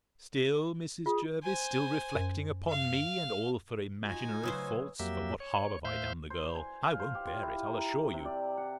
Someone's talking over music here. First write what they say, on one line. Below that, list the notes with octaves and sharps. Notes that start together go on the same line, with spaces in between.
Still, Mrs. Jervis, still reflecting upon me, and all for imaginary faults! for what harm have I done the girl?--I won't bear it, I'll assure you.
F4 G#4
C5 G#5
F#2
F5
D#4 F4 F#4 G#5
C#3 F#3 B4 C5 D#6 E6
F2 F#3 A#3 G4 E5
C#5
A2 C5 E5 F5 G6
C5
G#5
F5
C5
G4
F4
E4
A#5
C3
D5
F#5